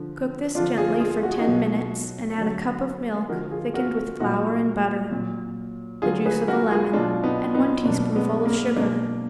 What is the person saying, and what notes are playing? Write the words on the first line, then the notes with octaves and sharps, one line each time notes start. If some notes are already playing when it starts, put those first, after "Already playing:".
Cook this gently for ten minutes and add a cup of milk thickened with flour and butter, the juice of a lemon and one teaspoonful of sugar.
Already playing: D3 F3
D3 F3 D4 F4
F4 G#4
F4 G#4
F#4
G#4
D#4 F#4
B2 F#3
D3 F#3
D3 F3 F#4 A#4
F4 G#4
F#4 A#4
A#2 F#3 D#4 F#4
A#2 F#3
D3 F#3 F4 G#4
G#4 B4
F#4 A#4
F4 G#4
B2 F#3 D4 F4
B3 D#4
B3 D#4
B2 A#3 D4
F#3
G#3 B3
A#3
B2 F#3 A#3 D4